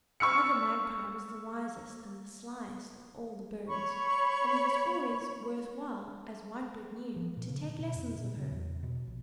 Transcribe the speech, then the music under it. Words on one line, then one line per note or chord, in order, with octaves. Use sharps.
Mother Magpie was the wisest and the slyest of all the birds, and it was always worth while, as Whitebird knew, to take lessons of her.
C#6 E6 F6 C#7
C#5 B5 C#6
F3
A#2
C#3
D3
B2
F2
A#2
C#3
E2
B2
A#1